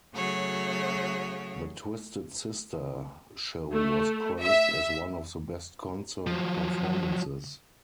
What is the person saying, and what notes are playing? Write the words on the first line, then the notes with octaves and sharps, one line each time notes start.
The Twisted Sister show was praised as one of the best concert performances.
C#3 F#3 A3 F#4 C#5
A3
E5
F3 F#3